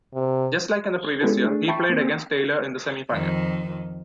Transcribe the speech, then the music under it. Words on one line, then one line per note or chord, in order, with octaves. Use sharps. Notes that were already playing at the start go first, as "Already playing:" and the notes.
Just like in the previous year, he played against Taylor in the semi-final.
C3
G#3 B3 C#4 E4 G4 A4
A3 D4 G#4
E5 G5 A5 B5 C#6
A#3 C4
F2 D#3